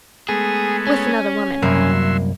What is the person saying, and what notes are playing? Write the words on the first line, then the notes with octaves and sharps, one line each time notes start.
"With another woman."
G#3 A3 B3 G#4
C#4
C2 F#2 F#3 A#3 E5 C6